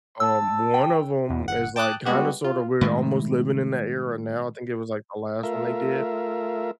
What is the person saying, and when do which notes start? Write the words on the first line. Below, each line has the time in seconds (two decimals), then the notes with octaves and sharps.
um, one of 'em is, like, kinda sort of we're almost living in that era now; I think it was, like, the last one they did,
0.20 A5 E6
0.74 G5
1.30 E2
1.46 G1 F#5
1.76 G5 A5 D6 D#6 F#6
2.05 G3 G#3 B3 F#4 G4
2.44 F4
2.81 A2 D#3 G#3
5.43 A3 F4 A#4 E5